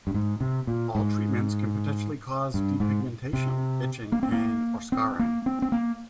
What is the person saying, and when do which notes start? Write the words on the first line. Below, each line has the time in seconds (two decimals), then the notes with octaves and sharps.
All treatments can potentially cause depigmentation, itching, pain, or scarring.
0.07 G2
0.15 G#2
0.41 C3
0.67 A#2
0.95 G#2
2.54 G2
2.80 G#2
3.33 C3
4.12 A#3
4.23 C4
4.32 A#3
4.92 C4
5.19 A#3
5.46 C4
5.62 C4
5.72 A#3